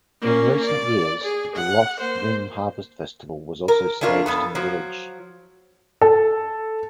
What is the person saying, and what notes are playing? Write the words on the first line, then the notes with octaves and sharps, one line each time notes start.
In recent years the Lough Rynn Harvest Festival was also staged in the village.
A#3 C#4
D5
G#4
F#5
A#3 C5
A#4
A3 C#4 D4 F4 A#4
F2 B3 A4
F3 F#3
A4